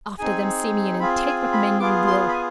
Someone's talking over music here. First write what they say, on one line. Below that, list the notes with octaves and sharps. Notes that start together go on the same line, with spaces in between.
"After them, Simeon, and take what men you will."
C4 D#4 G#4 G#5
C4 F4 G#4 B5
G#5
B5
B3 F4 G#4 D6
C6
B5
G#5